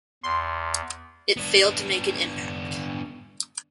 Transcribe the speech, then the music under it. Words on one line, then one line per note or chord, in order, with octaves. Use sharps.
It failed to make an impact.
E2 C6
B3 D4